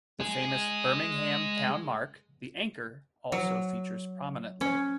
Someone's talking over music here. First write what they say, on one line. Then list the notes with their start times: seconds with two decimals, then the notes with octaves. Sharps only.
The famous Birmingham town mark, the anchor, also features prominently.
0.20 G#3 G#4
3.32 F#3
4.61 C#4